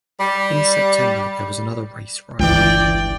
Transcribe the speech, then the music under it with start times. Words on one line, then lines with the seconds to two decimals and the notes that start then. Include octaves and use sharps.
In September there was another race riot.
0.20 G3
2.39 G1 C#2 E3 D5 G5